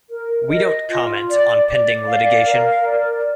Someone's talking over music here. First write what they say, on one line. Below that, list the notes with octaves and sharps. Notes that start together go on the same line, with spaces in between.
We don’t comment on pending litigation.
A#4
D#5
F4
D5
D5
F5
A#4
D5